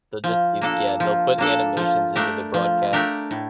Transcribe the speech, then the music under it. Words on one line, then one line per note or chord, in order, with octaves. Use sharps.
They'll just use yeah, they'll put animations into the broadcast.
F3
A#3 D4 A4
F3
A#3 D4 A4
F3
A3 D4 G4 A#4
F3
A3 D4 G4 A#4
A2